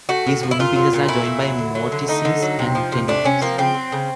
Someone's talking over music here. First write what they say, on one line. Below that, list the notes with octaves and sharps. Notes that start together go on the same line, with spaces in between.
These wooden pieces are joined by mortices and tenons.
A3 F#4
A2
F3
E4
A#2 F4
F#3
A#2
A3 E4
A#2
F#3
D3
F#3
D3
A3 D#4
D3
F#3
C3
F3
C3
A3 D4
C3 C#4
F3 A#3
C#3 C4
F#3
C#3